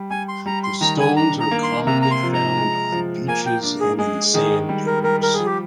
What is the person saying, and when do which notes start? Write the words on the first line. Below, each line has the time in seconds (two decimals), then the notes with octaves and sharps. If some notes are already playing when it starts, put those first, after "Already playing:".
The stones are commonly found on beaches and in sand dunes.
Already playing: G3
0.10 G3 G#5
0.28 C6
0.46 G3 A#5
0.64 C6
0.81 D#3 A#5
1.00 G#5
1.16 D4 A#5
1.40 A#5
1.51 A#3
1.63 C6
1.87 C3 A#5
2.02 A#5
2.11 C6
2.23 F3
2.34 A#5
2.58 G#3
2.92 F3
3.28 A#3 G#5
3.46 G5
3.63 D4
3.80 G#4
3.98 G#3 G#4
4.34 D#3 G#4
4.69 G3
4.87 A#4
5.04 G3 A#4
5.22 A#4
5.34 G#4
5.39 F3
5.46 G4